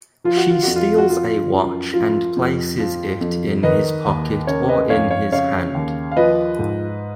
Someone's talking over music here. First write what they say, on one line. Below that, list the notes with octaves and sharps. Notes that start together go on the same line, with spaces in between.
She steals a watch and places it in his pocket or in his hand.
F3 F4
F#4
F4
F2 F#4
F4
F#4
F3 F4
F#2
F3 F4
F2
F3 F4
F2
D#3 B4 D#5
D#2
C#3 A#4 C#5
B4 D#5
F2 C#5 F5
C#5 F5
C#3 C#5 F5
D#2
F5
F3 B4 D#5
G#2